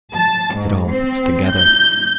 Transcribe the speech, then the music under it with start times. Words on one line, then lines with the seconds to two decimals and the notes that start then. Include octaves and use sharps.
It all fits together.
0.15 A5
0.56 G#2
0.89 C4
1.51 G6